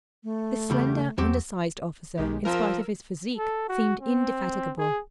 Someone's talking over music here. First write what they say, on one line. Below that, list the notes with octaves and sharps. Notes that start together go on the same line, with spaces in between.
This slender, undersized officer, in spite of his physique, seemed indefatigable.
A3
E2 C#3 G3 B5
E2 F#3 C4 G4
B1 D#3 G#3 G4
F3 A#4 E6
A4
F#4
C4
G#4